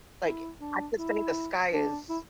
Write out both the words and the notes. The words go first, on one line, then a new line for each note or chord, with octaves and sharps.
Like, I could say the sky is,
E4
D4
E4
D4
E4